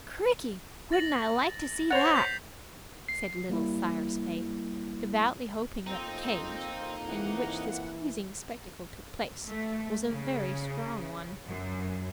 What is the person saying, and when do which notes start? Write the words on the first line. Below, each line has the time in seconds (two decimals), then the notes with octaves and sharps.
"Cricky! wouldn't I like to see that," said little Cyrus Fay, devoutly hoping that the cage, in which this pleasing spectacle took place, was a very strong one.
0.92 A6 A#6 F#7
1.91 C5 C#5 F#5 A6 A#6 F7
2.16 G6 B6 C7
3.09 C7
3.50 G3 A#3 E4
5.87 F2 A#3 C4 D#4
7.08 E3 F#5
9.46 A3
10.09 C#3
11.47 F#2